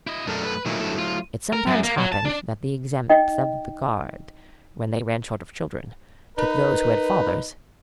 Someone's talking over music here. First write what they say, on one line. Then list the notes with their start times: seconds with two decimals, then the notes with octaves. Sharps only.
It sometimes happened that the exempts of the guard, when they ran short of children, took those who had fathers.
0.07 E4 D#5
0.27 F#2 A3 D4 A4 A#4
0.45 B4
0.66 A#2 D#3 F#3 A3 E4
0.80 G2 A4
0.99 F4
1.53 A#4
1.67 F#2
1.83 A#3
1.98 F#3
2.12 A5
2.25 D4
3.10 D#4 D#5 G5
6.38 D#4 A#4 B4